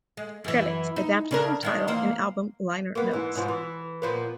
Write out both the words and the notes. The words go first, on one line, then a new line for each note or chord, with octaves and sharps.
Credits adapted from Tidal and album liner notes.
G#3
F#2 E3
D#4
C#3 D4 A#4
D#3 G#3 D4
E2 A#3 C5
A#3 B3
G#2 E3
G#2 B2 F3
E3
A#2 F3 B3